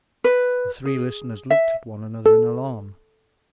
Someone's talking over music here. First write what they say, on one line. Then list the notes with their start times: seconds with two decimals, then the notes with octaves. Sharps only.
The three listeners looked at one another in alarm.
0.24 B4
0.85 G#4
1.50 E5
2.26 A4